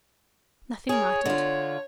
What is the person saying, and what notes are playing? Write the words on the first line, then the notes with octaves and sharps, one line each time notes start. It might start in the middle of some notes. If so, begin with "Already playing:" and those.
Nothing mattered!
G#4 A#4 C#5
D3 F4